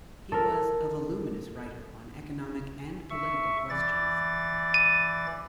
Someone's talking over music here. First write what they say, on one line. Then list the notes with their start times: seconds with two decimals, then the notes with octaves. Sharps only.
He was a voluminous writer on economic and political questions.
0.32 A4 A#4
3.10 E5 C#6
3.70 E3 D5 A6
4.74 D#7